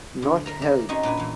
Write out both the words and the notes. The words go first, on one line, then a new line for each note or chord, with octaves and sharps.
Not Held.
D3
A#4 A#5
D5 E5 A#5
C4 C#4 D#4 F#4 C#5 D#5
A#2 D4 B4 G#5
A#2 E3